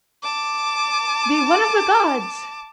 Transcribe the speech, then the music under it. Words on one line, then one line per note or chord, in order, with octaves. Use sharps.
Be one of the gods.
A5 D6